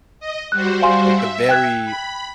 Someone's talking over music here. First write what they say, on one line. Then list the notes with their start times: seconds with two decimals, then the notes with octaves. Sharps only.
like, the very
0.20 D#5
0.52 G3 F#4 C5 F#6
0.82 F5 G#5 C6
1.14 E5
1.49 G5 F#6 G#6
1.85 B5